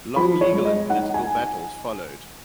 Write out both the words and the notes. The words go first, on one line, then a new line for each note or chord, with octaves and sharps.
Long legal and political battles followed.
F3 B5
C#5
G#3
D#5
D#4 F#5
G#5